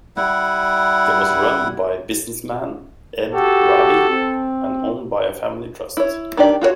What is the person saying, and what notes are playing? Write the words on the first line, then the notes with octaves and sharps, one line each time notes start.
It was run by businessman Ed Raabe and owned by a family trust.
G3 E4 F#5
F#4 G4 A4
C4
E4 C#5
D#3 D4 G4 D5
F4 F#4 A4 C#5